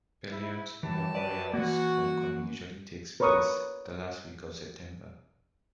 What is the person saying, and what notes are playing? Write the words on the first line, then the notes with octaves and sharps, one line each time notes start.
Beloit Memorial's homecoming usually takes place the last week of September.
E4
F#2 E3 G4 A5
B4 D5
E3 A#3 F#4
A#4 B4 C#5 C#6 D#6